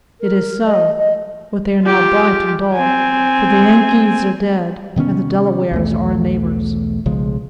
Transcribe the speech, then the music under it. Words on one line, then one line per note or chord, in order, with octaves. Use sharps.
"It is so; but they are now bright and dull; for the Yengeese are dead, and the Delawares are our neighbors."
A#4
D#5
D#5
F4 G4
C4 G#5
C3 D#3 B3 C#4
B1 E2 A3
B1 C#3 F3 G#3